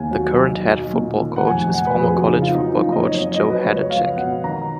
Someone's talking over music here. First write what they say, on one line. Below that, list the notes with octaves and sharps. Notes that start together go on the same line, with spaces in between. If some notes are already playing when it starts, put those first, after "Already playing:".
The current head football coach is former college football coach Joe Hadachek.
Already playing: D#2 G#5
F#3
B1
B1
A#2
D#3
F#5
F1 G#5
F1 F#5
B4
F2 G#4
F#4
C#3 D#4
F4
F#3 D#4
D#4
F#1 F4
D#5
C#5
F2
D#5
F#3 D#5
B4
C#2 C#5
C#5
C#2 F5
B2 F#5
D#3 A#5